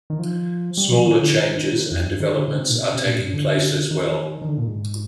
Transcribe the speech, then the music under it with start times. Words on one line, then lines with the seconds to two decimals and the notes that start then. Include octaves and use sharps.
Smaller changes and developments are taking place as well.
0.10 D#3
0.19 F3
0.77 G3
0.91 F3
1.06 D#3
1.20 D3
1.34 D#3
1.91 F2
2.06 G2
2.20 D#3
2.34 D3
2.48 D3
2.58 C3
2.69 A#2
2.79 C3
2.95 C3
3.05 A#2
3.20 G2
3.34 D3
3.91 D#3
4.42 D#3
4.48 D3
4.58 A#2
4.67 G#2